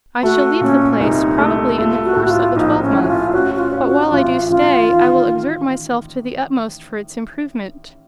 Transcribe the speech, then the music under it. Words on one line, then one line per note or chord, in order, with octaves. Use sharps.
I shall leave the place probably in the course of a twelve-month; but while I do stay, I will exert myself to the utmost for its improvement.
A3 F#4
A#2 C#4
C2 D#4
A3
A3 F4
F#4
A2
F#4
F4
A#1 D#4
C#4
A2
F#4
F4
C#4 F#4
F#4
F4
C#4
F#4
A1 F4
A1 F4
D#3